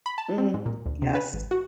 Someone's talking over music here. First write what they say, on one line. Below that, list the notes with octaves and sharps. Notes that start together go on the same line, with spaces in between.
Mm. Yes.
B5
A5
C4
G#2
A#2
D2
C3
B4
G#1
F#4